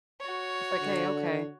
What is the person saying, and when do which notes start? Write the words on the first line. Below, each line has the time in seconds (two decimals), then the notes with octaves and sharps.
It's like, "Hey, okay."
0.21 F#4 C#5
0.81 D3